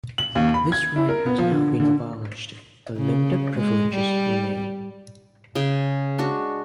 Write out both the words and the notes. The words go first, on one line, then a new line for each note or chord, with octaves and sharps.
This right has now been abolished, but limited privileges remain.
F#7
D#2
B5
G#6
E4
A#4
B3
F3
D3
D3
C#3
G#3
G3
C#3 G#4 G5
G#3 D4 F#4